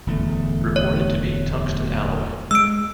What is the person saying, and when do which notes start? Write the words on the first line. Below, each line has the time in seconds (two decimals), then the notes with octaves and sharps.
Reported to be tungsten alloy.
0.07 D1 E2 A3
0.76 C#5
2.51 G#3 E6 D7